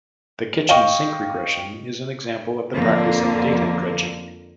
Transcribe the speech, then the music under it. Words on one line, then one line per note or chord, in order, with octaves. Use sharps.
The kitchen sink regression is an example of the practice of data dredging.
D#5 F5 G5 C#6
F2 D3 A#3